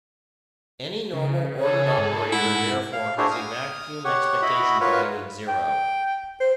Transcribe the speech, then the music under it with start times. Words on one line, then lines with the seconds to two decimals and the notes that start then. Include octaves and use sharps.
Any normal ordered operator therefore has a vacuum expectation value of zero.
1.13 C#3
1.58 C#3 G#4 A4 C#5
1.98 G#2
2.32 E4 F#5
2.93 F5
3.18 D4 E4 F#4 G#4 C5
3.31 D#6 F6
4.05 G4 C#5 F#5
4.42 E4 F#4 D#5 B5
4.81 F4 F#4 A#4 B4 C#5
5.48 G5
6.40 C5